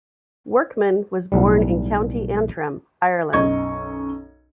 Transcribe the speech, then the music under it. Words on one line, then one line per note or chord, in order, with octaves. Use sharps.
Workman was born in County Antrim, Ireland.
B1 A2 G3
B1 F#2 D#5 C#6 G#6